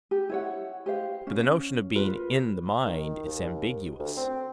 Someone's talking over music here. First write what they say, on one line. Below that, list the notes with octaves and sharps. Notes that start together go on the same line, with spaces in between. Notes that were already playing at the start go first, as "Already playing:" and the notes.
But the notion of being 'in' the mind is ambiguous.
G4
E4 C#5 F#5
G4 C5 F5
C#4
F4 A#4 B4
D#3
D#2
D2
C4